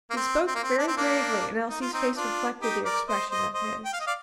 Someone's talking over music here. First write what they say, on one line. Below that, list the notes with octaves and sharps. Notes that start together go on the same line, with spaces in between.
He spoke very gravely and Elsie's face reflected the expression of his.
A#3
C4
C4
A#3
C4
D4
C4
A#3 D4
D#4
F4
C4 D#4
D4 F4
D#4 G4
A#4 D5
C5 D#5
C5 D#5
C5 D#5
G5
F5
D#5
D5 F5